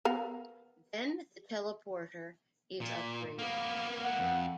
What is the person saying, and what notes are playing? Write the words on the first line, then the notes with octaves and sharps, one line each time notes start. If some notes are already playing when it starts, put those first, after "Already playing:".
Then the teleporter is upgraded.
B3 A#4 F5
A#2
A#3 B3
F#5
F2